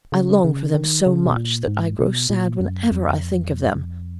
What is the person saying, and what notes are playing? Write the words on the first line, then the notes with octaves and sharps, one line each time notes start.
I long for them so much that I grow sad whenever I think of them.
C#3
C#3
D#3
C#3
B2
A#2
G#2
B2
A#2
F#2
F2